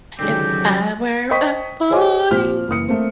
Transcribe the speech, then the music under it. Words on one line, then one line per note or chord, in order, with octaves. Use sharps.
If I were a boy,
C#2 D3 D#3 F#3 G#3 C4 G4
C5 D#5 G5 C#6 D#6 B6
G#4 C5 C#5 D#5 G#5 D6
A#2 F3 C4 F6
F#1 E3 D#6 C#7
A3 A#3 C4